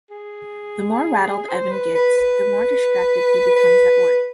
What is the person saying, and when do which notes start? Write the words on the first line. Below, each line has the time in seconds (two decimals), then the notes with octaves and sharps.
The more rattled Evan gets, the more distracted he becomes at work.
0.11 G#4
1.49 C5
1.72 B4
1.95 B4
2.18 B4
3.56 B4